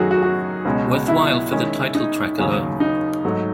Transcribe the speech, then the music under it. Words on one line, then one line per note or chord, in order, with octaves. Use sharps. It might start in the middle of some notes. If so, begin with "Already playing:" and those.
Worthwhile for the title track alone.
Already playing: F#2 D#3 F#3 A3 D#4 F#4 G#4
F#4
F#4
C#2 B2 G#3 C#4
E4
D#3 G#3 C#4
D#4
D#2 C#3 F#3 C#4 G#4
D#4
G#2 F#3 A3